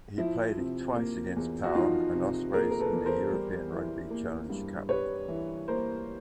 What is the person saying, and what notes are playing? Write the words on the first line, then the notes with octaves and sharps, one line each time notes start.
He played twice against Pau and Ospreys in the European Rugby Challenge Cup.
F3 E4
C3
A#3
E2
F#4
F3 D#4 F4
C3
A#3 G#4 A#4
A#4
A4 B4
E2
A#4 C5
G3
E3
A#3
G2
G3 B4 C#5
E3
A#3 A#4 C5